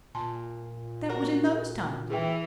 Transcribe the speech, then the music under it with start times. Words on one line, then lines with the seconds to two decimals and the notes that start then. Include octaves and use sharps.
That was in those times.
0.15 A#2 G#5 A5 C6
1.09 F#4 A#4
2.10 E3 G#4 B4 G5